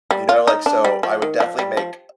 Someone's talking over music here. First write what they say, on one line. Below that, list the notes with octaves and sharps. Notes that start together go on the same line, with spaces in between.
you know like, so I would definitely make a
G3
F4
D#4
D4
G3
F3
D#3
F3
G3
F3